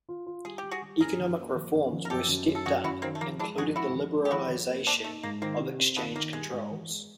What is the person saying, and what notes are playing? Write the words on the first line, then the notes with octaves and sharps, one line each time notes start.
Economic reforms were stepped up, including the liberalization of exchange controls.
F4
F4
G3 G#4
G3 G4
F#4 G#4
G3
C#4 G#4 A#4
F3
A#3
F3
C#4
F3
A#4
F#2 G4 A4
F#2
F#2
A4
F#2 F#4 G#4
F#2 E4 F#4
D#3 A#3 C4
A3
F3 A#3
G#3 D4 E4
F3 F#4 G#4
G#3 E4 F#4
F3
G#3
G4
F3 E4 F#4
F3
A#3
A#3 C4 D4
A3 D#4
G#2 A#3
D#3 A#3 C4
C3
C4
D#3 A3 B3
D#3 A#3
G3 G#3
G#2
E3
G#3